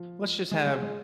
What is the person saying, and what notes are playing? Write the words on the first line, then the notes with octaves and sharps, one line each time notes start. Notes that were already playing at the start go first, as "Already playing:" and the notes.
let's just have,
Already playing: F3
G#3
G#3
G#3